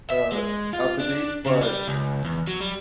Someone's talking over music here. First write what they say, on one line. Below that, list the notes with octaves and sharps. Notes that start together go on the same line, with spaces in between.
uh, out to be, but
E5
G#3
F4
D4
C#3
G3
C#2
E2
F#3
G3